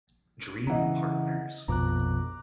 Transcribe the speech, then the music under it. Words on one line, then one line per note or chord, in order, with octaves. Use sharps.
Dream Partners.
C#3 E3 D#5 F#5 A#5
A#1 F2 B2 A#5 D6 F#6